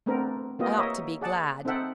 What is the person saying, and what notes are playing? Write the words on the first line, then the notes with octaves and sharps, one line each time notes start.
I ought to be glad.
A3 B3 C4 D4 A#4
A#3 B3 F4 G4 D#5
A#4 C#5 D#5 E5
G#4 D5 F#5 A5
C4 D#4 A4 E5 F#5 G5